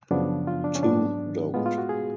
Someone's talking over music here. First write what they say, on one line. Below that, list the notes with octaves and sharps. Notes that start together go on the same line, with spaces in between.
Two don’t.
F#2 C#3 F3 B3 D4
F4
D4
C#4
G#2 F#3 B3 D4
A2 G#3 B3 F4
F4
F#4
G#4